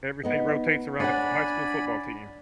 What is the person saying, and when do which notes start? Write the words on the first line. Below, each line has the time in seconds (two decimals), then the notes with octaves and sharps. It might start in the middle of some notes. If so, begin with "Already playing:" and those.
everything rotates around the f high school football team.
0.23 B3 D#4 D#5
1.00 D4 C#5 D5 F#5 G#5 B5